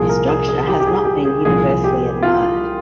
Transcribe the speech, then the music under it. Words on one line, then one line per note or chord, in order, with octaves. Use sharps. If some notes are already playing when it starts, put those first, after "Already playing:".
The structure has not been universally admired.
Already playing: C2 A#2 F3 G#4
A#4
G#4
G#4
G4
G4
G#4
G4
G#4
C2 A#2 F3 G#4
G4
F4